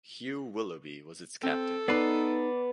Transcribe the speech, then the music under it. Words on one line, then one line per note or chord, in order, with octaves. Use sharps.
Hugh Willoughby was its captain.
C4 A4
B3 D#4 B4 D5 C7